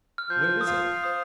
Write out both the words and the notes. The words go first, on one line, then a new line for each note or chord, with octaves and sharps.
"Where is it?"
F6
F3 G6
D#6
F4 F6
C5 D#6